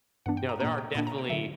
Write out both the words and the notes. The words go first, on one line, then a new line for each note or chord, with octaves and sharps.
you know, there are definitely
G2 E3 B3 D4 F#5
G5
A#5
A#2 A#3 D4 A#5
G5
A#2 A#3 D4 B5
A#5
G5
D3 F#3 E5